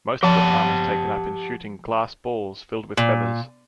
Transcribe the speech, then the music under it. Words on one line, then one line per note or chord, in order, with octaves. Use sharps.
Most of the time was taken up in shooting glass balls, filled with feathers.
F3 G4 F#5 A5
A#2